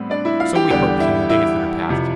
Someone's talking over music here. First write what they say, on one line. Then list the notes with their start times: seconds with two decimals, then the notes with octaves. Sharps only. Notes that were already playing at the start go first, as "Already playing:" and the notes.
So we hoped in the days that are past.
Already playing: A2 G3 B3 C4 B4
0.10 D4 D5
0.25 E4 E5
0.40 F4 F5
0.55 G4 G5
0.70 E2 D3 G3 G4 G5
1.00 E4 E5
1.30 E4 E5
1.89 F2 C3 F3